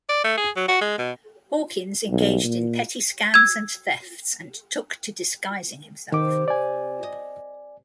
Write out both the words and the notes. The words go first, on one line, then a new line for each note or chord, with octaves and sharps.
Hawkins engaged in petty scams and thefts, and took to disguising himself.
D5
A3
G#4
F#3
F#4
G#3
B2
B1
A#2
E6 G#6
C3 D#3 D6
D5 G#5
D#5